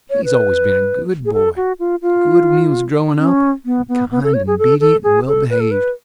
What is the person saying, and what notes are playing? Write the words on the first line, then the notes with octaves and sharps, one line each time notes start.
He's always been a good boy--good when he was growin' up, and kind and 'bedient and well-behaved.
C#5
B4
G#4
A4
F#4
F4
F4
C#4
B3
B3
B3
A4
C#5
G#4
A4
A4
G#4
A4
B4
A4
B4